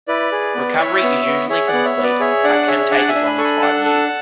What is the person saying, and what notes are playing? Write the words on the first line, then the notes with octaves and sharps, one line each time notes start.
Recovery is usually complete, but can take as long as five years.
E4 B4 D5
G#4
B3
E4 C#5 E5
B3
B3
G#4 C#5 E5
D5 F#5
B3
C#5 E5
B3
B4 D5
G#4 C#5 E5
D4 D5 F#5
G#4 C#5 E5
D4 D5 F#5
E5 G#5
D4
G#5 B5
A4 C#6
G#5 B5
D4 F#5 A5
A4